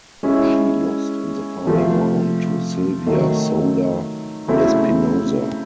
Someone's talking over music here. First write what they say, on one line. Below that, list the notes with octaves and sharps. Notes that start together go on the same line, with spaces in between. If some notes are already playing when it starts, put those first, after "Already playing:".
She lost in the final round to Silvia Soler Espinosa.
G#3 C#4 E4
C3 F3 A3
D#3 F#3 A3
C#3 F#3 A3 C4 E4